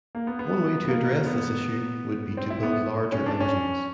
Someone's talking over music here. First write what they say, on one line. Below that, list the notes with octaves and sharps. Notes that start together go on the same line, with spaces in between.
One way to address this issue would be to build larger engines.
A#3
B3
B3
A#3
B3
C4
E4
B3
C#4
D4
C#4